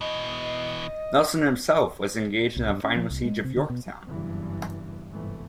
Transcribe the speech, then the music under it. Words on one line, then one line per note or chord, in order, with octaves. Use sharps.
Nelson himself was engaged in the final siege of Yorktown.
B2 E3 D#5
C2
G2
C#4
F3
C2
G#3
C3
D3
B2
F#1 E2 G2 E3
G1 C2 G#2 E3 A3